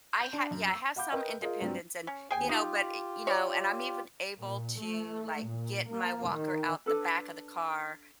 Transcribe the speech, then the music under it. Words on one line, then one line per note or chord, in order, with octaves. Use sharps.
I ha yeah, I have some independence and, you know, but e you know, and I'm even able to, like, get my walker out the back of the car
G6
D4
F#2
E6
F5 F#5 B5 D6 G6
A#4 B4 D#5 G5
F4 G#4 A#4 D#5 F5
G2 F#3 G3 C4
C#4
D#2 G#4 G5 G#5
D#4 F4 G4
C#5 D5
A#2
A3
A#2
A#3
D#3
D4 A4 B4